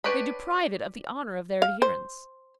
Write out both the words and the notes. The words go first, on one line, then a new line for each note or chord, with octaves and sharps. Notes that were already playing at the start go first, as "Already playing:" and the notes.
They deprive it of the honour of their adherence.
D4 G4 B4 C#5 B5
F5
C5